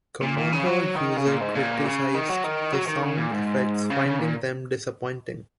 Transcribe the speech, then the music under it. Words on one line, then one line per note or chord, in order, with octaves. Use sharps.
"Commodore User" criticised the sound effects, finding them "disappointing".
A#2
A#2
C#3
F#3
D#3
C#3
A#2
G#2
A#2
C#3
D#3
F#3
D#3
F#3
D#3
C#3
A#2
G#2
C#3
C#3
A#2